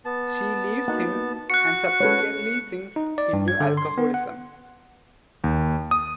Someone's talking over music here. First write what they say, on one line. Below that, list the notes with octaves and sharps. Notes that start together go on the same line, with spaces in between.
She leaves him, and subsequently sinks into alcoholism.
B3 A5
A#3 D#4 F#4 F#5
F#4 C#6 F#6 C#7
G#3 C#4 A4 B4 C#5
D#4
D5
G2
G#6
D3
C6
B3
F#5
D#2
D#6